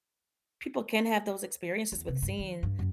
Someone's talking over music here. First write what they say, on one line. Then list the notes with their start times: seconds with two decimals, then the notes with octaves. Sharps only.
people can have those experiences with seeing
1.92 E2
2.08 C3
2.22 G2
2.39 D#3
2.63 G2
2.79 F#2